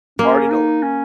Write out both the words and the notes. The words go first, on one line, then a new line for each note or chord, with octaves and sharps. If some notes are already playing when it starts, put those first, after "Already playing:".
I already know it
A#3 C#4
D#4
C#4